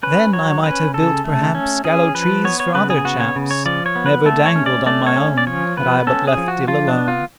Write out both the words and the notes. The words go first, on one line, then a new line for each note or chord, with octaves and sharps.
"Then I might have built perhaps Gallows-trees for other chaps, Never dangled on my own, Had I but left ill alone."
C#4 B4
F#3 C#5
C#4 B4
C#3 A4
A3
C#4
C#4 G#4
F3 B4
B3 C#5
C#5
C#3 B4
G#4
B3 F#4
C#5
C#3
C#5
F3 D5
C#5
B3
B4
A3 A4
C#5
C#4
D5
A3 D5
C#5
C#4
D5
F3 C#5
B3 B4
C#4 A4
G#4
F3
F#4
F3 F4
D4
B3
F4